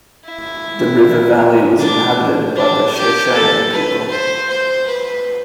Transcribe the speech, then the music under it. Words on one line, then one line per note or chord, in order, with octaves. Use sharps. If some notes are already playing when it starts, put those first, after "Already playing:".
The river valley was inhabited by the Shoshone people.
E4
D4
D4
G4
A4
B4
C5
C5
B4